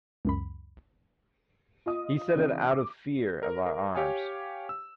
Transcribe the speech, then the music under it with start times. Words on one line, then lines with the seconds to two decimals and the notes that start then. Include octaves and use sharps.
He said it out of fear of our arms.
0.25 C#2 F#2 B5
1.86 F4 D#5 D#6
2.35 C#3 E3 C4 D4 E4
2.71 D6
3.43 A#4
3.66 A#4
3.95 G4 C#5 F5 G#5
4.69 E6